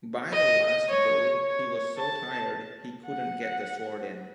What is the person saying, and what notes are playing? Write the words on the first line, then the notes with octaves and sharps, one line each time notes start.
By the last bull he was so tired he couldn’t get the sword in.
D#5
C#5
C#5
A5
F#5